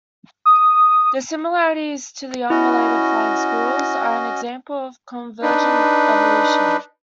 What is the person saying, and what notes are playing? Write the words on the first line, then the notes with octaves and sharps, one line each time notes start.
Their similarities to the unrelated flying squirrels are an example of convergent evolution.
D#6
C#4 E4 F#4 D#5
D4 D#4 B4